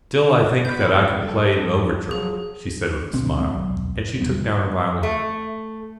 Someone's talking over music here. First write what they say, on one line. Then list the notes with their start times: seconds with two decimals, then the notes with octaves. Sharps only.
"Still I think that I can play the overture," she said with a smile, and she took down her violin.
0.65 B3 B5 G6
1.16 G3 A4
2.11 F3 F#3 G#4
3.13 D2 B2 C4 D4
3.39 A#2 D#3 G#3 C4
3.53 D#1 B1 F2 F#3
4.21 E2 G3 B3
5.03 A3